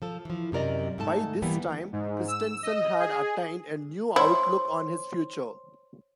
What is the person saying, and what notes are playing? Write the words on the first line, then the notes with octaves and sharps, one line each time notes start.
By this time, Christensen had attained a new outlook on his future.
F3 A4
E3 F3
F#2 C3 A#4 D5 D#5
G#2 A3 A4 A5
E3 G3 A#3 B3
G#2
E6
D#5
G#4
E4 C5 C#5 C6